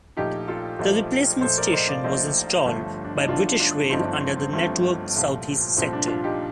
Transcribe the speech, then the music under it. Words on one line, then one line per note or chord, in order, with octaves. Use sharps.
The replacement station was installed by British Rail under the Network SouthEast sector.
A#1 A#2 A3 D#4 G4
F4 A4
A#1 A#2 A3 C5 D#5
A#1 A#2 A3 A4 C5
A#4 D5
C5 D#5
D5 F5
A#1 A#2 A3 C5 D#5
G1 G2 F3 A3
D4
D#4
G1 G2 F3 A3 D4 F4
D4 F4
G1 G2 F3 A3 C4 D#4
D4
C4
C4
G1 G2 F3 A3 C4
C2 A#2 F3 A3
C2 A#2 F3 A3 C4
D4
D4 F4
D#4 G4